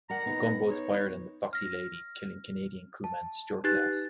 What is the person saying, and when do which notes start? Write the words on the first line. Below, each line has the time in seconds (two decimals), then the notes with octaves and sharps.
The gunboats fired on the "Foxy Lady" killing Canadian crewman Stuart Glass.
0.10 A#4 D5 F#5 A#5
0.26 B3 D#4
0.71 C#5
1.53 F6 A#6
3.04 A5
3.64 D#4 G4 B4 F#6 A6